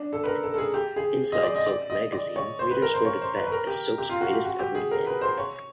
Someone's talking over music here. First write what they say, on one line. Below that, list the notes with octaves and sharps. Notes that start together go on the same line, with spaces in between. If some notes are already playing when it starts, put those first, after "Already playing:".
Inside Soap magazine readers voted Bet as soaps 'Greatest ever Landlady.
Already playing: D4
A4
B4
A#4
A4
A4
G#4
G4
G#4
D#5
D5
D#5
D5
D#5
D5
C#5
C5
B4
A#4
C5
C#5
C5
B4
B4
A#4
G4
G4
F4
F#4
G4
F#4
G4
G#4
A#4
B4
C5
C#5